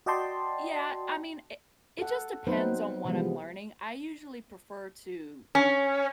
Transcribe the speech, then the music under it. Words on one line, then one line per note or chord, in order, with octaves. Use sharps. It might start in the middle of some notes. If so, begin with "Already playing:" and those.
Yeah, I mean, i it just depends on what I'm learning. I usually prefer to
F#4 D5 D#5 G5 A5 C6
A4 F#5
F#3 B3 C4 D#4 B4 C5
C3 E3 F3 G3 G#3 B3
C#4